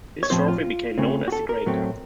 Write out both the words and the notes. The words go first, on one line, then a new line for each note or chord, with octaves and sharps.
This trophy became known as the Grey Cup.
C#5
A2 F3 C4 C5
F4
C#3 A3 C4
F#4
A4
A#4
A2 F#3 A3 C4